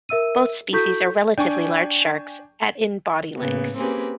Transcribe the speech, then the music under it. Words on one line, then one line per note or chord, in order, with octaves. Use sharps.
Both species are relatively large sharks, at in body length.
A#4 E5 E6 D#7
E4 F#4 A4 C#6 G6 B6
D4 G5 G#5 C#6
A2 C#3 A#3 B3
A#3 C4 C#4 G4 G#4 B4